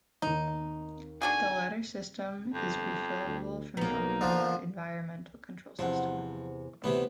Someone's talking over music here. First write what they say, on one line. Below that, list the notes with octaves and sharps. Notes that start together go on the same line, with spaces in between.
The latter system is refillable from the on-board environmental control system.
D#2 D#3 D#4
D4 F#4 G#4 G#5
G1 F2
D2
B1 A#3 B3 D#4
D3 F3
E2 C3 F3 F#5
D2 C3 E3 B3